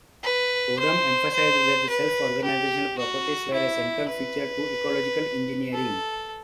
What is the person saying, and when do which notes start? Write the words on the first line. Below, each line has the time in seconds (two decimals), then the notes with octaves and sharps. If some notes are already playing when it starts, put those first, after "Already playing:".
Odum emphasized that self-organizational properties were a central feature to ecological engineering.
0.24 B4
0.79 C5
1.34 C5
1.89 B4
2.44 G4
2.98 F#4
3.53 E4
4.09 B4
5.73 A4